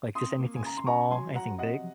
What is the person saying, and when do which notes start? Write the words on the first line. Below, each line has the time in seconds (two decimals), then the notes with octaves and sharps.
Like, just anything small, anything big?
0.15 C4 C6 D#6
0.39 A#3
0.56 G#5
0.63 C#3 A#5
0.77 C6
0.86 C#3 A#5 C#6
1.11 F#3 G#5 C6
1.34 F#3 F#5 A#5
1.58 C3 D#5 F#5